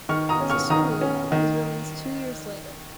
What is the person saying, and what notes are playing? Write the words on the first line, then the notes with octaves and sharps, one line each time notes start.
Sisulu was released two years later.
D#3 C#6 F6
A#5 D#6
C#4
C#6 F6
D#3 A#5 D#6
C#4
D#3